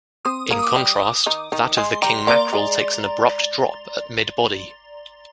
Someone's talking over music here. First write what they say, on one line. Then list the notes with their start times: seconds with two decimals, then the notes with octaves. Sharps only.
In contrast that of the king mackerel takes an abrupt drop at mid-body.
0.25 C4 C5 D#6
0.51 A#3 A#4
0.59 D#6
0.63 D6
0.76 G3 G4
1.26 D#3 D#4
1.52 D#3 D#4
1.77 G#3 G#4 C6
2.02 G3 G4 A#5
2.27 A#3 A#4 D5
2.53 G#3 G#4